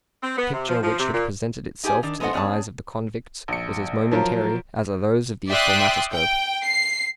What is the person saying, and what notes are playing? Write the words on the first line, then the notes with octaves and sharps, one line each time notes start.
The picture which had presented itself to the eyes of the convicts was as momentary as are those of the thaumatoscope.
C4
B3
C3
F3
F3
C3
A#2
D#4 G4 G#4 D5 G#5
D#3 D4
G#3 B3 A4 C5 D#5 F#5
B3 C#4 G#4 D5 A5
A#1 C#7
F3 F#3 F4 A#4
D5 E5 G5 C6 D#6 F#6
G5
C7